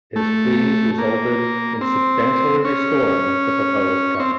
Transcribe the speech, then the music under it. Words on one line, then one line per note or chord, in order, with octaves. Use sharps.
His pleas resulted in substantially restoring the proposed cuts.
A3
A#3
C4
C#4
C4